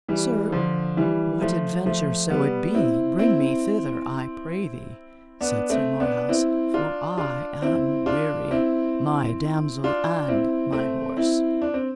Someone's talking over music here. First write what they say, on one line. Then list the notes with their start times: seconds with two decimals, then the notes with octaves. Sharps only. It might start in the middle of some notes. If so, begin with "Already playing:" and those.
Sir, what adventure so it be, bring me thither I pray thee, said Sir Marhaus; for I am weary, my damosel, and my horse.
0.08 E3 G3
0.52 D3 F3
0.97 E3 G3
1.41 F3 A3
1.86 F3 A3
2.30 G3 B3
2.74 C4 E4
3.18 C4 E4
5.41 B3 D4
5.70 A3 C4
6.00 B3 D4
6.29 C4 E4
6.74 D4 F4
7.18 D4 F4
7.62 C4 E4
8.06 D4 F4
8.51 C4 E4
9.84 D4 F4
10.28 C4 E4
10.73 A3 C4
11.17 C4 E4
11.62 D4
11.74 C4